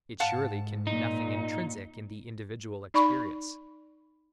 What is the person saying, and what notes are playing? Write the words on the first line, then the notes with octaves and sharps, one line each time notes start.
It surely can be nothing intrinsic in the individual experience.
G#2 F5 F#5 A5
A#2 D#4
D#4 D5 B5 C#6